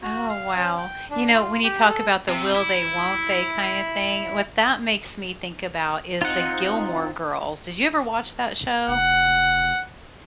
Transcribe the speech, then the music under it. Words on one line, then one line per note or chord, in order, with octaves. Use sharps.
Oh, wow. You know, when you talk about the will-they, won't-they kind of thing, what that makes me think about is the Gilmore Girls. Did you ever watch that show?
F#4
F5
C#4
G5
D4
F4
G4
A4
C3
E4
C4 D#4 F4 F#5
F1 F#5